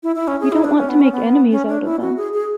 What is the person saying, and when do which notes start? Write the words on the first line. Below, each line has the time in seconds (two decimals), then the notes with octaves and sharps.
We don't want to make enemies out of them.
0.03 E4
0.16 E4
0.28 C#4
0.40 G#4
0.52 E4
0.64 D4
0.77 C#4
0.89 B3
1.00 C#4
1.12 B3
1.51 C#4
1.68 D4
1.85 E4
2.01 F#4
2.17 G#4
2.34 G#4